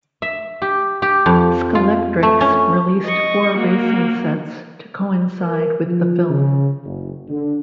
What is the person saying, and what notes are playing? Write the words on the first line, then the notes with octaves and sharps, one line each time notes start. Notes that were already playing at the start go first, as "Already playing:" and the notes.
Scalextric released four racing sets to coincide with the film.
E5
G4
G4
F2
F4
A3
C#4
D#5 C#6
A#3 F#4
A#4
F3
C#3
F#1
D3